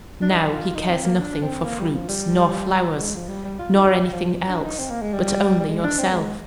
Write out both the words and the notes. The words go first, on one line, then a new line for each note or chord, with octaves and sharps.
But NOW he cares nothing for fruits nor flowers, nor anything else, but only yourself.
D4
D#4
D#4
F4
D#4
C4
A#3
D4
C4
A#3
G3
F3
G3
G#3
F3
G3
G3
F4
D#4
F3
F3
D4
D#4
C4
A#3
G#3
G3
G3
G#3
D4
C4
G#3